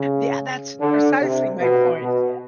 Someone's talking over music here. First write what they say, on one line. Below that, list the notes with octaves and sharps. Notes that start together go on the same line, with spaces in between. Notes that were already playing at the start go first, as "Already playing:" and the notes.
Yeah. That's precisely my point. Yeah
Already playing: C#3
D3
C3
B2
B2